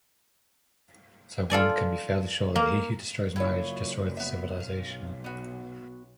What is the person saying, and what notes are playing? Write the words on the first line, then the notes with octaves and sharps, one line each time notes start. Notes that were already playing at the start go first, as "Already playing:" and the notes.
So one can be fairly sure that he who destroys marriage destroys the civilization.
F4 A4 D5 G#5
A#3
F#1 F#2 E4 F4 C#5
B3 E5
B1 F5
B3 F#4